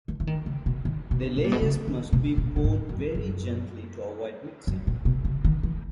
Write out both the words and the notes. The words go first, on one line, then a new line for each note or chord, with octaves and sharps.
The layers must be poured very gently to avoid mixing.
D#3
E3
D#3
C#3
B2
D#3
B2
B2
A#2
B2
C#3
D#3
B2
A#2
A#2
G#2
F#2
F#2
F#2
A#2
B2
C#3
D#3
E3